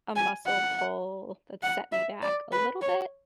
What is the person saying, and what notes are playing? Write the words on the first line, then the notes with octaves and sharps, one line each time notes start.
a muscle pull that set me back a little bit,
G#5
F#5
F#5
E5
D5
B4
C#5